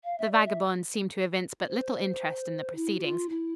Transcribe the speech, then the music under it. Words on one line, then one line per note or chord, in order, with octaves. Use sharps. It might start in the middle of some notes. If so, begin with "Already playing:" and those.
The vagabonds seemed to evince but little interest in the proceedings.
F5
E5
D5
E5
C5
E4
G4
F4
E4